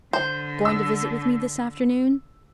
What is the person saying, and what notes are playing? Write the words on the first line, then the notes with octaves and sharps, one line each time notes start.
Going to visit with me this afternoon?
D3 C5
E6